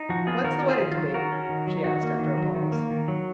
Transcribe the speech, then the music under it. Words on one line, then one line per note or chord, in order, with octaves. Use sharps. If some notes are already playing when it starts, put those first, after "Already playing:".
"When's the wedding to be?" she asked after a pause.
Already playing: D#4
F3 F#4
B3 F4 G#4
D#3 F#4 A#4
C#4
F4 G#4
D#3
F4
F#3
D#3 F#4 A#4
C#4
D#3
F#3
D#3 F#4
A#3
D#3
F#3
D#3
A#3
D#3
F#3